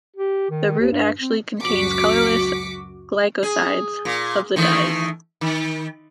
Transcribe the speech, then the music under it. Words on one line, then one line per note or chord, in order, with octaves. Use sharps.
The root actually contains colorless glycosides of the dyes.
G4
D#3
D#2
G2
C4
C#2 F#2 F#4 D6 B6 C#7
G#4
A#2
D#3 E3 A3
D#3